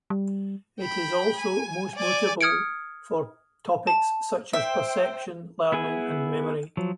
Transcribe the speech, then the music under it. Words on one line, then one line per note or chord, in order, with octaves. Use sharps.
It is also most notable for topics such as, Perception, Learning, and Memory.
G3
G5 B5
G#5
D5 G#5
D#6 F6 G#6 C#7 D7
A5
C5 E5 G5
B3 E4 G#4 G#5
F3 F#3